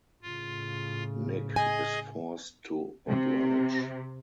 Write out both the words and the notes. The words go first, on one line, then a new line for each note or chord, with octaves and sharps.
Nick is forced to oblige.
A2 C#3 F4
G#4 D#5 G#5 G#6
C3